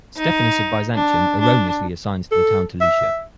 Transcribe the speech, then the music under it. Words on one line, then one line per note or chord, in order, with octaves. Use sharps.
Stephanus of Byzantium erroneously assigns the town to Lycia.
D#4
D4
D4
A4
E5